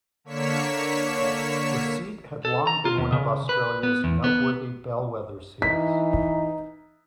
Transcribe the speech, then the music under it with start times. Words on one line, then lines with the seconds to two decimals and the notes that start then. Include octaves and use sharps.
The seat had long been one of Australia's noteworthy bellwether seats.
0.24 D3 A#3 C#5 B6 C#7 E7
2.45 A4
2.67 A#5
2.85 F4
2.97 D#2
3.12 C#3
3.49 B4
3.83 B3
4.04 E2
4.24 B3
5.62 E3 D#4 B6